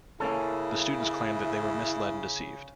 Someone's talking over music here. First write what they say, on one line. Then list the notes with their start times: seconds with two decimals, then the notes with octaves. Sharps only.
The students claimed that they were misled and deceived.
0.20 C#3 A#3 C#4 E4 A4